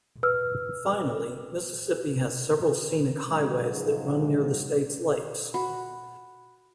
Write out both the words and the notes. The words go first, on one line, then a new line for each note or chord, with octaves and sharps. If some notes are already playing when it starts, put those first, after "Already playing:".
Finally, Mississippi has several scenic highways that run near the state's lakes.
B4 E6 F6
G#2 C#3 F3 F#3 G#3
F#4 B5